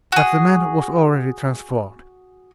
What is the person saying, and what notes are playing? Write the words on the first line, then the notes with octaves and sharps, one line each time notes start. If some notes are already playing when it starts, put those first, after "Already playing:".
But the man was already transformed.
F#4 G#4